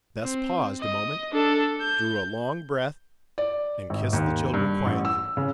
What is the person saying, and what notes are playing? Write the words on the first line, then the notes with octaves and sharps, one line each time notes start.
Bess paused a moment, drew a long breath, and kissed the children quietly.
C4
D#5
D4 A4
G6
D5
G#1
D#2
G2
A1
E6
C#3